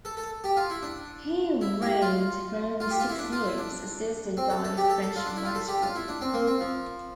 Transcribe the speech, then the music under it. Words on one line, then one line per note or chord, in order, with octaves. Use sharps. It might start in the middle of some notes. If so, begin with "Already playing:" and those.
He 'reigned' for only six years, assisted by a French Viceroy.
A4
A4
G4
F4
E4
D4
E4
G4
F4
F4
G4
F4
E4
D4
F4
E4
D4
C4
A4
A4
G4
A4
A4
F4
D4
E4
F4
A4
G4
F4
E4
D4
C4
A#3
C4
F3